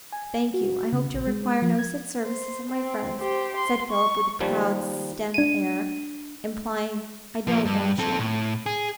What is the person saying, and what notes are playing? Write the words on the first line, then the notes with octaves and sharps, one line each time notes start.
'Thank you; I hope to require no such services of my friends,' said Philip, with a proud stem air, implying, 'I don't want you.'
G#5
F#4
C#3
A#1
G#3
F3
G#6
C5
C4
G4 C5
C6
C#6
D#2 F3 G3
D4 D#7
F3 A#3
G2
C4 A4
A2
G#4